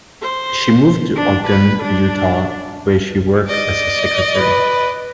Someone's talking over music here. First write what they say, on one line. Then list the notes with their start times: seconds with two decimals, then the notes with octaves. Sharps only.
She moved to Ogden, Utah where she worked as a secretary.
0.22 C5
1.16 D4
1.47 B4
1.83 D4
3.48 D5 D#5
4.38 B4